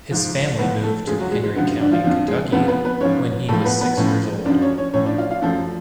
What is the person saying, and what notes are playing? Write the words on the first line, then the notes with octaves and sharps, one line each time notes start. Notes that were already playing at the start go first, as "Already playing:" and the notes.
His family moved to Henry County, Kentucky, when he was six years old.
G#2 F3
A2 F3 B3 B4
A3 A4
F#2 C#3 F3 G#3 G#4
F#3 F#4
G#3
G#3
F#2 B2 D3 F3 B3
D3 D4
F3 F4
F2 D3 F3 F4
G#3 G#4
F2 C#3 F3 B3 B4
B3 B4
B3 B4
G#2 F3 C#4 C#5
A2 F3 A3 A4
B3 B4
B3 B4
A2 F3 C#4 C#5
F#2 F3 D4 D5
C#4 C#5
C#4 C#5
A2 F3 C#4 C#5
D4 D5
F4 F5
F4 F5
F#2 F3 A3 A4